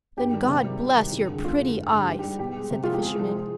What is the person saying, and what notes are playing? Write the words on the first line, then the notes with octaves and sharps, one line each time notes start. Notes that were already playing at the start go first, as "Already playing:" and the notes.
"Then God bless your pretty eyes," said the fisherman.
G2 G4
D#3 G3
C3
G3
C3
D#3 G3
F2
D3 G#3
F2 F4
D3 G#3
G2
D3 G#3
G#2 G4
G4
G3
B2 G4
G#3
C3
F3 G#3 F4
G4
C3 G#4
F3 G#3